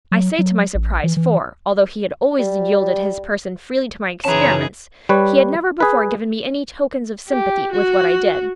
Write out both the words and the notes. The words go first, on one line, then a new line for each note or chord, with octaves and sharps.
I say to my surprise, for, although he had always yielded his person freely to my experiments, he had never before given me any tokens of sympathy with what I did.
F#3
F#3
A1
E3
E3
G3
F#2 C#3 E3 C#4 D#4 G#4 A5 A#5
G3 B4 C#5
G#4 B4
G4
F#4